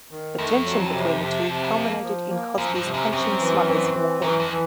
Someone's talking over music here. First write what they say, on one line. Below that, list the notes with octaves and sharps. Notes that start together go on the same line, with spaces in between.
The tension between the two culminated in Cosby's punching Smothers in the head.
D#3
F2 A3
F#3
C3
C3
C3
A#3
F3
A#3
F#2 F3
G2
C3
F#2
F#2 C4
E3
C4
E3
F#2 E3
F2
E3